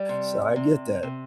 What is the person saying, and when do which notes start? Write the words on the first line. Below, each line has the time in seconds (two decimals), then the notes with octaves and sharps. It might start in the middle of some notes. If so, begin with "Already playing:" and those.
so I get that.
Already playing: G3
0.09 C3
0.56 C3
1.03 C3